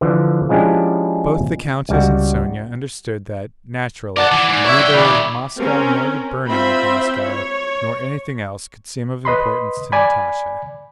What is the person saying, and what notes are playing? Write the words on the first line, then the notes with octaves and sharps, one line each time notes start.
Both the countess and Sonya understood that, naturally, neither Moscow nor the burning of Moscow nor anything else could seem of importance to Natasha.
D3 E3 F3
F3 G#3 C#4 D4 E4 G4
C#2 G3 F#4
A#4 D5 F#5 A5
E3
G#2
E4 C#5 E5
G2 G5
A#2 D#3 G3 D6
C4 C#4 A#4
C4 F4 C5 E5 B5
C#5
B4 D#5 B5 C6
D5 G#5 B5